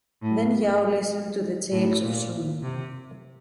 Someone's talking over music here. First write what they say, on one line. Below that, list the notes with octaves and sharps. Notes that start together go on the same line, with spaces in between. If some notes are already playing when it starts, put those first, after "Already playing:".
Then Yao listened to the tales of Shun.
A2
A2
A#2
C3